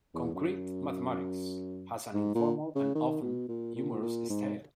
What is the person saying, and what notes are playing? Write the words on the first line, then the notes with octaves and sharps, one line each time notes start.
"Concrete Mathematics" has an informal and often humorous style.
E2
F#2
G#2
A#2
C#3
D#3
B2
A#2
A#2
A#2
G#2